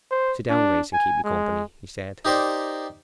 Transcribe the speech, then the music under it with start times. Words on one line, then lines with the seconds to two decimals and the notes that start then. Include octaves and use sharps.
"Sit down, Grace, and keep me company," he said.
0.11 C5
0.49 D4
0.93 G#5
1.24 G#3
2.25 D#4 G4 A#4 C5 D5